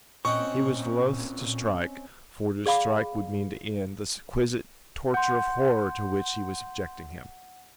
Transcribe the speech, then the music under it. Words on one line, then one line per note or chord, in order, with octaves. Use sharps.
He was loth to strike, for to strike would mean to end this exquisite torture of horror to which he was subjecting him.
A#2 C4 C#4 D#5 F#5 G5 C#6
G#4 D5 F5 B5 D6
F#5 C6 G6